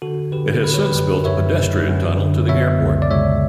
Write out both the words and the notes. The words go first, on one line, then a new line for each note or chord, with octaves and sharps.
It has since built a pedestrian tunnel to the airport.
D3 F#4 A4
D3 G4 B4
D3 B4
C#5
G4 B4
F#2
F#2 C#5 E5
F#3
F#2
D3
B2 C#5 E5
C#2
D5
C#2 C#5 E5